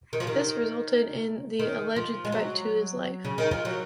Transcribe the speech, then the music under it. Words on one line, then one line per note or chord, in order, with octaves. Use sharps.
This resulted in the alleged threat to his life.
D#3
F3
D#3
D#3
F3
G#3
F#3
C#3
D#3
F3
F#3